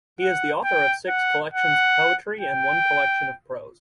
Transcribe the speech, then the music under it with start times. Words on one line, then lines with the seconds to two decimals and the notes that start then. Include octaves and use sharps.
He is the author of six collections of poetry and one collection of prose.
0.21 F#5
0.64 G5
1.09 F#5
1.54 F#5
2.41 G5